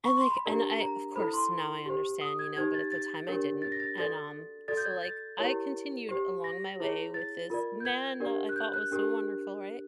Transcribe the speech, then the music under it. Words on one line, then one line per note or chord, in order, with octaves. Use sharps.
And, like and I, of course, now I understand, you know, but at the time I didn't, and, um, so, like, I continued along my way with this man I thought was so wonderful, right?
C#6
C6
B5
D4 G4 A#4 D5 A#5
A#5
E4 A4 C5 B5
C6
G4 C5
D#6
G#6
D#4 G4 C5 G#6
A6
A6
D4 G4 A#4 C#5
A6
A#6
A6
F#4 A4 D5 A6
F#4 A4 D5 A6
G6
G#6
A6
E4 G4 A#4 C#5
G4 C5
A#6
E4 G#4 C#5
A6
F4 A#4 D5
G6
G#6
D4 G4 A#4 D5
F#6
G6
F#6
D4 G4 A#4